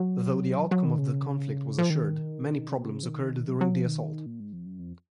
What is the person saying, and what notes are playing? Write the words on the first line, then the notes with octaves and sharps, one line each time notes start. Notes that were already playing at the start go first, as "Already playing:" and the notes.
Though the outcome of the conflict was assured, many problems occurred during the assault.
Already playing: F#3
F#3
D#3
C#3
F3
D#3
C#3
B2
C#3
F3
D#3
F#3
F#3
F3
D#3
A#2
G#2
F2
F#2
F2